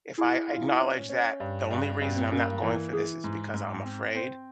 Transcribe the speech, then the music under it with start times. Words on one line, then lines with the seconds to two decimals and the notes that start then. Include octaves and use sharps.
If I acknowledge that the only reason I'm not going for this is because I'm afraid,
0.18 E4 G#4
0.48 F4
0.79 C#4
1.09 C#4
1.40 G2
1.71 G2
2.01 G2 C#4
2.16 C4
2.32 A#3 C#4
2.62 E3 A#4
2.92 E3 G#4
3.24 G#2
3.54 G#2
3.85 C4
4.15 C4 C5